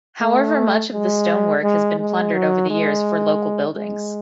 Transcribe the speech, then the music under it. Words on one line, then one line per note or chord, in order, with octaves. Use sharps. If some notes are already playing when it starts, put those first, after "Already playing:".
However much of the stonework has been plundered over the years for local buildings.
A3
G#3
G#3
G#3
F#3
G#3
G#3